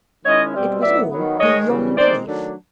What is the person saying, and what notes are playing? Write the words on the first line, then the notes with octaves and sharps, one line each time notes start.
It was all beyond belief!
D#3 G#3 C#4 E4 C#5 D#5
B2 G3 C4
A2 F#3 B3 E4 D5 E5
D#3 F#3 B3
G#2 D#3 G#3 C#5 D#5
F#2 C#3 E3 G3
D#3 G#3 C4 D#4 C5 D5
D#3 F#3 A3 D4